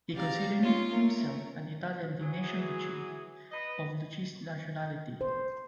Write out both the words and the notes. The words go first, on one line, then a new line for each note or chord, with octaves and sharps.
He considered himself an Italian "di nation lucchese", of Lucchese nationality.
C#3 F3 G4 D5 F5 A#5
C#4 D#4 F4 C#5
A3 A#4 C#5
E3 F#3 G#4
B4 D#5 B5
C5